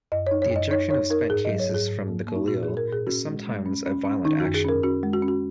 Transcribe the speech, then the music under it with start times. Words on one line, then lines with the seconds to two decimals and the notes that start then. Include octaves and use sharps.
The ejection of spent cases from the Galil is sometimes a violent action.
0.12 F#2 D#5
0.27 C#5
0.31 D#4
0.42 C#5
0.51 F#2 D#5
0.71 D#4 C#5
0.90 D#4 C#5
1.10 D#4 A#4
1.30 G#2 G#4
1.45 D#5
1.49 F#3
1.59 C#5
1.69 G#2
1.74 G#4
1.88 G#2
2.08 A#3
2.28 A#3
2.36 D#4
2.48 A#2 F#4
2.63 G#4
2.68 A#2
2.77 A#4
2.88 A#2 G#4
3.07 C#4 F#4
3.27 G#3
3.47 G#3
3.66 C#4
3.86 C#4
4.05 C#4
4.25 D#3 D#4
4.40 F#4
4.44 F#2
4.54 G#4
4.65 C#4 A#4
4.83 C#4 F#4
5.03 G#3
5.13 F#4
5.22 C#4
5.28 F#4